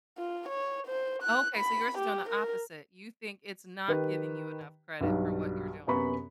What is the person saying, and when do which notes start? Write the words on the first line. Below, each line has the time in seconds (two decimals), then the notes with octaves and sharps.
Okay so, yours is doing the opposite, you think it's not giving you enough credit for what you're doing.
0.18 F4
0.48 C#5
0.87 C5
1.22 F#6
1.57 B5
1.98 G4
2.29 A#4
3.88 D#3 G4 B4
5.01 B1 G2 F#3 G3
5.87 F#2 C3 B3 A#5 B5 C#6